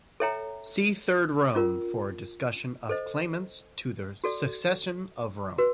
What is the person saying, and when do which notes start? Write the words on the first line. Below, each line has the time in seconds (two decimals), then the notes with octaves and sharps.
See Third Rome for a discussion of claimants to the succession of Rome.
0.20 A4 C#5 E5 G5 A#5
1.55 C#4 F4 A#4
2.89 A4 C5 D#5
4.24 F#4 A4 D5
5.58 F#4 B4